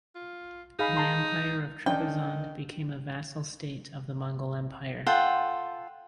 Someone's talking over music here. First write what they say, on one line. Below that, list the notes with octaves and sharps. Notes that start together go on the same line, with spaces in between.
The Empire of Trebizond became a vassal state of the Mongol empire.
F4
D#4 G#4 F5 B5
A5 A#5 C6
D#3 C#4 D4 G5
F4 A4 F#5 G5